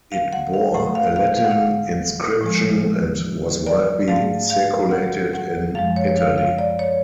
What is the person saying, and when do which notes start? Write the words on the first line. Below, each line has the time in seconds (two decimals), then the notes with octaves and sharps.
It bore a Latin inscription and was widely circulated in Italy.
0.12 F5
0.33 F#5
0.54 F5
0.74 A2 F#3 A3 F#5
0.95 F5
1.16 F5
1.37 F5
1.44 F#5
1.51 F5
2.41 A2 F3 G#3
3.67 D5
4.08 G#2 F#3 A3 F5
4.50 F5
4.91 F#5
5.33 F#5
5.75 F#2 F3 G#3 F5
5.96 C#5
6.17 F5
6.38 F5
6.58 D5
6.79 C#5